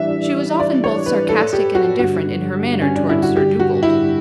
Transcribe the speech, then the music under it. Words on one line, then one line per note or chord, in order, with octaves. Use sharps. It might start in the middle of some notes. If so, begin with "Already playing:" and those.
She was often both sarcastic and indifferent in her manner toward Sir Dugald.
Already playing: E3 G3 D4 E5
D5
C#5
B4
A4
G4
F#4
G2 D3 G3 F#4
C#4
D4
E4
F#4
G4
F#4
E4